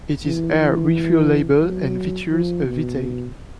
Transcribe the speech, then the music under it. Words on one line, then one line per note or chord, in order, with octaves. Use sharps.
It is air refuelable and features a V-tail.
E3
E3
F#3
F3
B2